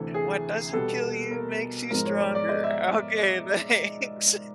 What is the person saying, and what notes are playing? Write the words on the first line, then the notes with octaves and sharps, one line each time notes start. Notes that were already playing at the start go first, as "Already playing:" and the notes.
What doesn't kill you makes you stronger. Okay, thanks.
Already playing: D2 C3 E3 A4
G#4
B2 G3 B3 A4
A#4
G#2 F3 G#3 A#4
C#5
D5
D5
D#5
E5